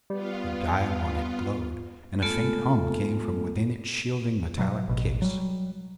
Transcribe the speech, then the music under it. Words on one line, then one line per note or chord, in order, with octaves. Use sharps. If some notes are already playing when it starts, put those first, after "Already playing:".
A dial on it glowed and a faint hum came from within its shielding metallic case.
G3 B3 F4
G#3 A3 B3 F4 A4
B2 F#3
A1 B2
F#3 G3